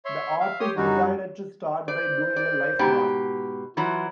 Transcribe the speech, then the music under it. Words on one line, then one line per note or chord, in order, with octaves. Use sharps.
The artist decided to start by doing a life mask.
C#5 E5 C6
E5 F5
G4 C#5 C6 D#6
F#2 F#3 G3 D#4 F#4
C5 D5
D5
G#2 B2 G4
E3 F#3 F4